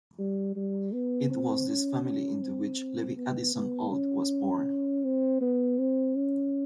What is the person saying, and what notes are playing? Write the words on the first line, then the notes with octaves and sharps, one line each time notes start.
It was this family into which Levi Addison Ault was born.
G3
G3
B3
C4
C#4
C#4
C4
B3
B3
C#4
C4
B3
C4
C#4